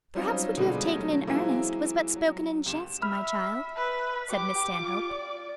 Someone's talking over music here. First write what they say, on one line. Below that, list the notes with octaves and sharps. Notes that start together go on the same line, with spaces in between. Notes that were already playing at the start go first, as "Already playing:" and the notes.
"Perhaps what you have taken in earnest, was but spoken in jest, my child," said Miss Stanhope.
F#3 G3 C4 C#4 D#4 F4
B2 D3 F3 G3 G#3
F#3 A3 C#4 D#4
E3 F#3 G#3 A#3 C4 E4
F#3
C#2 G4 E7
E5 B5 F6
B4
G4 D6
F4
D5